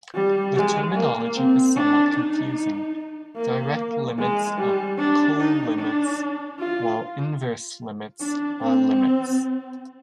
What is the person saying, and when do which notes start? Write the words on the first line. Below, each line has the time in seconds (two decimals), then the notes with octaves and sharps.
The terminology is somewhat confusing: direct limits are colimits while inverse limits are limits.
0.14 G3
0.55 G#3
0.95 A#3
1.36 C4
1.76 D4
2.16 D#4
3.37 A#3
4.18 G#3
4.58 G3
4.98 D4
5.39 D#4
5.79 D4
6.59 F4
8.21 D4
8.61 C4